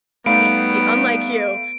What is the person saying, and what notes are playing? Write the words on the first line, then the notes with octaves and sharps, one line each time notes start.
ha see, unlike you,
G3 A3 B3 D#4 F5 B5 D7